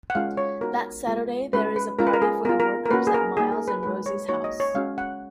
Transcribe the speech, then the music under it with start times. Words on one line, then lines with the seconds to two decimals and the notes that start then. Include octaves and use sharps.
That Saturday, there is a party for the workers at Miles and Rosie's house.
0.10 F#5
0.15 G#3 C#4 F4 F5
0.37 C#5
0.61 B3 D#4 F#4 A#4
1.07 G#3 B3 F4
1.53 G#3 C#4 F#4 B4
1.76 B4
1.99 G#3 C#4 F4 A#4
2.07 B4
2.14 A#4
2.22 G#4
2.45 B3 A#4
2.49 F4
2.60 A#4
2.86 A#4
2.91 A#3 C#4 F#4 B4
3.07 G#4
3.14 A#4
3.37 A#3 D#4 F#4 G#4
3.52 A#4
3.68 B4
3.83 G#3 D#4 F#4 B4
4.06 C#5
4.29 A#3 D#4 F#4 C#5
4.44 D#5
4.60 C#5
4.74 G#3 C#4 F#4 F5
4.98 F#5